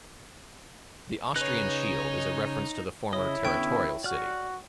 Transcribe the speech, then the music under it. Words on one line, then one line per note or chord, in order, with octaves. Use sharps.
The Austrian shield is a reference to the former territorial city.
C#3 D#4 B4 C#5 G#5 F#6
C#3 E4 C#5 D#5
D3 B3 C#4 G5 C#6
F#4 D5 F6 F#6